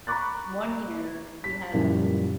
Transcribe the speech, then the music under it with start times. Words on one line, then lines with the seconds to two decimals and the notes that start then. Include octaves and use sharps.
One year we had a
0.07 A#5 B5 C#6 D6 F#6 A6
1.44 B6
1.73 F#2 A#2 C#3 E3 F3 G3